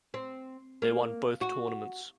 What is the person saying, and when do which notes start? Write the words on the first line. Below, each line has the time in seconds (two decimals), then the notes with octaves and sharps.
They won both tournaments.
0.14 C4
0.82 A#3
1.41 F#4